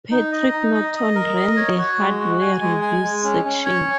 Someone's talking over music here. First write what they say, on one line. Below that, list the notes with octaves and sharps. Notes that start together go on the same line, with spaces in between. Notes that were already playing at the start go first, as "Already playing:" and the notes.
Patrick Norton ran the hardware reviews section.
D#4
D#5
D#4
D#5
D#5
A#4
D#5
C#5
F#4
G#3
F#4
G#5
G#3
G#5
G#3
C#4
C#4
C#5